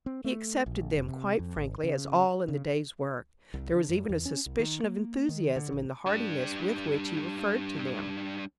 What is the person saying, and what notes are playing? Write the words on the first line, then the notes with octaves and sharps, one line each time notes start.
He accepted them quite frankly as all in the day's work; there was even a suspicion of enthusiasm in the heartiness with which he referred to them.
C4
A3
A#1
F1
C3
F2
G#1
C#3
C#3
C2
D3
F#2
E2
C#4
C2
D#3
A#3
D#3
D3
A1
G3 D4